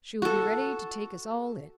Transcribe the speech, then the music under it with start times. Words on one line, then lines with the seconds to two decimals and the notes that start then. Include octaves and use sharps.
She will be ready to take us all in.
0.22 F#4 A4